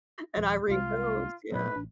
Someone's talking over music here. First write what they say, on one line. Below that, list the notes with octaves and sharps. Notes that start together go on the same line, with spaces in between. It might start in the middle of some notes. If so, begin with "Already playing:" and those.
and I read those, yeah.
D#1 F3
C2 C3 G3 G#3 F4
A#2 F#3 B3 B4
A1 D4